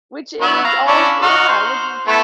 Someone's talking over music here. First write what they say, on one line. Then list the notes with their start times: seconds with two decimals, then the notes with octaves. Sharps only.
Which it would all yeah. It would be
0.41 F#3 B3 E4
0.64 F5 A#5
0.87 C#4 D4 E4
1.22 D#4 F#4 F6
1.48 C5
2.07 A3 B3 E4